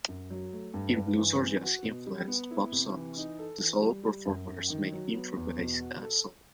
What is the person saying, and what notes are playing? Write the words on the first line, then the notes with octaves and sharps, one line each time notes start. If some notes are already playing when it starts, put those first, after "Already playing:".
In blues- or jazz-influenced pop songs, the solo performers may improvise a solo.
F#2
F#3
A3
G2
G2
E3
C4
F#4
B2
G3
B3
E4
C3
E3
D#4
A4
E3
G3
G3
F#2
F#2
D#3
F#3
B3
E2
B2
F#4
A4